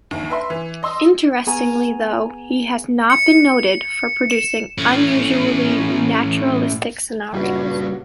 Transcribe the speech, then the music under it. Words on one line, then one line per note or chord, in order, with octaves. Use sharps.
Interestingly, though, he has not been noted for producing unusually naturalistic scenarios.
A#1 D#2
B4 E5 C6
E3
D#5 C6 E6
B3 G#4 G#5 A#5
C#7
E7
A2 C#4
A#2 C#3 G3 F#4 B4